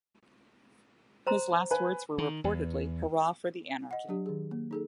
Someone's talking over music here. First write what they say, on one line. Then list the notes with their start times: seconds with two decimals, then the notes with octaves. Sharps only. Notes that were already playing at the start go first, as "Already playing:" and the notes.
His last words were reportedly Hurrah for anarchy!
1.27 C5 A#5 C6
1.71 B4 G#5
2.18 D#3
2.44 E2
3.91 D#5 F#5
4.09 F#3 D4 G4
4.26 D#3 G#4
4.51 A#3
4.71 D#4 G#4 A4